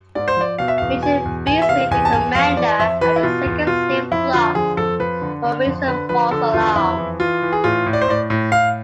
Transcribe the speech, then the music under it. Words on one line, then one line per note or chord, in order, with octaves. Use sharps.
Major Beasley, the commander, had the second slave flogged for "raising a false alarm".
G#2 D5
C5
F3 D5
B2 F5
E5
E2 F5
B2 G#5
E2
E2 G#5
E5
C3 F5
E2 G#5
A5
E2 G#5
F2 F5
E3 D5
F2 E5
E3 B4
E4
B2 F4
E2
B2 F4
B2
F2 E4
D3 F4
F3 G#4
F2 A4
F3 B4
D3
D3
F2
D3 B4
F3 B4
D3 A4
E2 F4
F2 E4
E3
E3 F4
E3
G#4
A2 F4
A2
D5
C5
A2 D5
A2
A2 F5